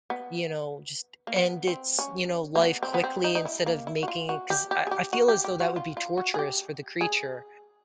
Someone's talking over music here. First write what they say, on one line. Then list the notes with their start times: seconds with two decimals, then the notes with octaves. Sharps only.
you know, just end its, you know, life quickly instead of making it 'cause I I feel as though that would be torturous for the creature,
0.10 B3
1.27 A#3
1.36 B3
1.67 C4
1.99 C#4
2.55 A#3
2.62 B3
2.83 C4
2.94 B3
3.04 C4
3.24 D#4
3.35 D#4
3.45 E4
3.66 A#3
3.87 E4
4.03 F#4
4.08 F4
4.29 F#4
4.50 G4
4.71 G4
4.87 G#4
4.91 G4
5.13 F#4
5.28 G4
5.44 G4
5.60 F#4
5.76 F4
5.97 F4
6.17 F#4
6.34 G#4
6.39 G4
7.01 G#4